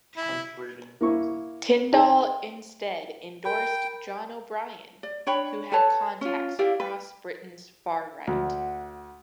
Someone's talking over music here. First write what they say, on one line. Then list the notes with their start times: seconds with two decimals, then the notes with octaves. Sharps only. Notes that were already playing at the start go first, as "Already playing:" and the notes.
Tyndall instead endorsed John O'Brien, who had contacts across Britain's far-right.
0.17 E4
1.01 A#3 E4 C#6
1.92 D#4 G#4 G#5 A5
3.45 A#4 G5 B5
5.03 D5
5.27 D4 C#5 G5 B5
5.72 A4 B4 C#5 A5
6.21 C#4 F4
6.59 E4 G4 D5 F5
6.80 B4
8.27 D2 F#5